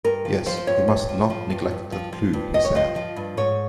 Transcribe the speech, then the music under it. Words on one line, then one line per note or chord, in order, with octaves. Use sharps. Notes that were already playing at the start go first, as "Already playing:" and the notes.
"Yes, you must not neglect that clue," he said.
G2 A#4
F3
F3 C5
C5
G2 C#5
G2
F3
F3
G2
G2
F3
F3
G2
G2 D#5
C#5
F3 D#5
F3
G2
G#2 C#5